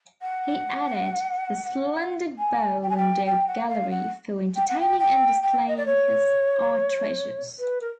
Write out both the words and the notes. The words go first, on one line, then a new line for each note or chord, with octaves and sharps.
He added the splendid bow windowed gallery for entertaining and displaying his art treasures.
F#5
G#5
G5
G#5
G5
G5
F#5
F5
F#5
G5
F#5
G5
G5
G5
D#5
D5
C#5
B4
A#4